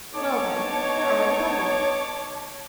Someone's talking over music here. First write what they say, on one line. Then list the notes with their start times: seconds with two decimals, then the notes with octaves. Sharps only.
"Well, then, there are the Bumble-Bees."
0.14 D3 B3 D#4 C#5 A5 D6